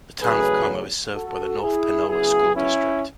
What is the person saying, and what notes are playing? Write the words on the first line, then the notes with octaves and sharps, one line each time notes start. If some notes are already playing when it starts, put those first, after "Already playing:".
The Town of Como is served by the North Panola School District.
E2 C#3 F#3 A3 G#4 B4
F#4 A4
E4 G#4
C#3 F#3 B3 E4 G#4
C#4 E4